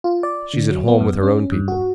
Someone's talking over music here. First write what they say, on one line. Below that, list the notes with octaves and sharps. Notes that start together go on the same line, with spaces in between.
"She is at home with her own people."
F4
D5
D3
F#3
B3
F#2
C#4
G2
F#4